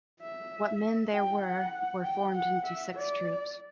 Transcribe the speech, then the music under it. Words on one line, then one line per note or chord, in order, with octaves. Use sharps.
What men there were, were formed into six troops.
E5
G5
F#5
G5
F#5
E5
D5